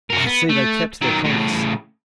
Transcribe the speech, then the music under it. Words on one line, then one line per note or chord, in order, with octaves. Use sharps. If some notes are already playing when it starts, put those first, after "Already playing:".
"I see they kept their promise."
F#4 A#4
B3
A3
D#3 F#3
A2 C#3